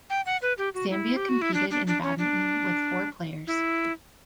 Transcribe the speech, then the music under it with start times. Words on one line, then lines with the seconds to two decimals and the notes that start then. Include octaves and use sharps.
Zambia competed in badminton with four players.
0.10 G5
0.26 F#5
0.42 B4
0.58 G4
0.74 F#4
0.90 E4
1.16 G4
1.29 F#4
1.42 E4
1.54 D4
1.71 D4
1.87 D4
2.03 C#4
2.18 D4
3.47 E4